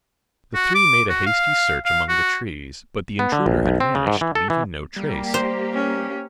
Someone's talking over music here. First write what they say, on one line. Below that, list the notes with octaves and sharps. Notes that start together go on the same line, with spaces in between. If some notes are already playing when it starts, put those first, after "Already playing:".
The three made a hasty search among the trees, but the intruder had vanished, leaving no trace.
F#4
D6
F#4
F5
F5
F#4
B3
D3
A#1
B1
C4
C#3
G#2
E3
A4
E3
G3 A#3 G4
C5
C#4